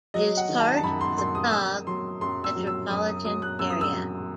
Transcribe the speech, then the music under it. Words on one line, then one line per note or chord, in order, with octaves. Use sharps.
It is part of the Prague metropolitan area.
F#3 D#5
F#5
D#3
A5
A5
F#2 B5
C6
F#2 C6
D#6
F#2 E6
F#3 C6
F#2 C6
E6
F#3
E6
F#2 D#6
D#6
F#3 D#6
F#6
F#2 E6
D#6
E6
F#3